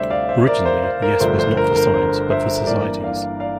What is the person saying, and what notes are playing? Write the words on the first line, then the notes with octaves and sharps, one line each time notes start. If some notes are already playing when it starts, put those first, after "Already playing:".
Originally the 'S' was not for science but for Societies.
Already playing: D2 C3 G3 C5 D5 E5
D5 F5
C5 E5
A#4 D5
C5
C5
A#4
G1 G2 D3 F3 A3 C5
C5
A#4
A#4
C5
C5 E5
G2 E3 A#3 A#4 D5
D5 F5
D5 F5